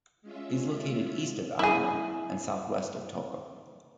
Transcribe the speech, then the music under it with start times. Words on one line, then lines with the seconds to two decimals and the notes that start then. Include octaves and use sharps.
It is located east of Arima and southwest of Toco.
0.22 G#3 C#4 F4 E5
1.59 E4 G#4